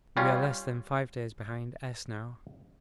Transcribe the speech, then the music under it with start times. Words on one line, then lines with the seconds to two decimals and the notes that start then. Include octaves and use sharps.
We are less than five days behind S. now.
0.17 G3 C#4 F4